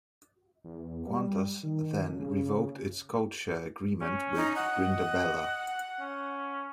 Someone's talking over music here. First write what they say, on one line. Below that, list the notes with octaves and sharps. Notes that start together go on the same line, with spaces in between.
Qantas then revoked its codeshare agreement with Brindabella.
E2
G3
D#3
C#3
C#4
D#4
D#5 F#5
C#4